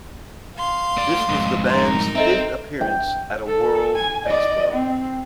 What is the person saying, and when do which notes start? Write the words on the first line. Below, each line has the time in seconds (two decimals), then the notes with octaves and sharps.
This was the band's fifth appearance at a World Expo.
0.56 F5 C6
0.97 A3 D5
1.29 F2 G#2
1.70 D#4 A#4 C6
2.15 C4 A4 D#5 E5
2.81 G5
3.47 A4
3.95 G#5
4.26 D5 D#5
4.73 C4